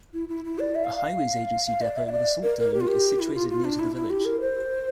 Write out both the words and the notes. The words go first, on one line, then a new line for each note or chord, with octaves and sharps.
A Highways Agency depot with a salt dome is situated near to the village.
E4
E4
E4
D5
E5
F5
F5
F5
D5
E5
E5
D5
A#4
A#4
G4
F4
G4
E4
F4
F4
D4
E4
E4
G4
A#4
C5